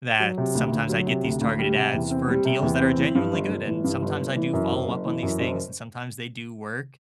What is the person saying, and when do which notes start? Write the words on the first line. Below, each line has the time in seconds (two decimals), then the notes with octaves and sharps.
that sometimes I get these targeted ads for deals that are genuinely good, and sometimes I do follow up on these things, and sometimes they do work,
0.20 F#3
0.38 C3
0.55 D2
0.72 D2
0.89 F#3
1.07 C3
1.24 D2
1.41 D2
1.59 G3
1.76 C3
1.94 E2
2.11 C4
2.28 G3
2.45 C3
2.63 E2
2.80 C4
2.97 E3
3.15 G2
3.32 G1
3.49 G1
3.67 E3
3.84 G2
4.02 G1
4.19 G1
4.36 E3
4.53 F#2
4.71 F#1
4.88 F#1
5.05 E3
5.23 F#2
5.40 F#1